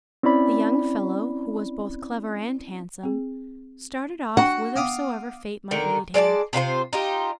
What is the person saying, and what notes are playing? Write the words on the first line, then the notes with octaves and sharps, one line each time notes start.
The young fellow, who was both clever and handsome, started off whithersoever fate might lead him.
C4 C#4 E4 D5 B5
C4 G#4
D4 F#4 F#5 G5
B3 D5 F5 G5 D6 D#6
D3 D#3 A#4
G#3 D5 G5 A5
C3 F4 F#4 C5
D#4 F4 G4